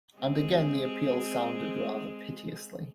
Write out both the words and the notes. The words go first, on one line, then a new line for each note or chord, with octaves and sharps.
And again the appeal sounded rather piteously.
G#3 C4 G#4